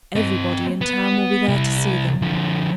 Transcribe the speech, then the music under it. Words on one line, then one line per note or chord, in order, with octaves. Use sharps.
Everybody in town will be there to see them.
C4 D#5
B3
C2 E4
D3 F3